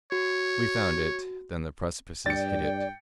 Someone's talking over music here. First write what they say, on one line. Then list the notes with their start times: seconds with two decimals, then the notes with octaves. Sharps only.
We found it; then the precipices hid it.
0.12 F#4 C#5
2.26 G2 D5 G5 A6 C#7